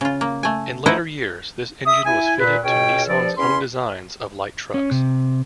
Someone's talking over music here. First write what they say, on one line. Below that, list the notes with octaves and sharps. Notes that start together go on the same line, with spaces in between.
In later years, this engine was fitted to Nissan's own designs of light trucks.
C#3 F4
A#3
A3 G#5
A3 D#4 E4 B4 C5 F#5
E5 D#6
E4 G#5
A#2 B4
C#2 B2 C#4 G5
G2 F3 A4 D5
E2 C#4 B5 C6
C#4
C3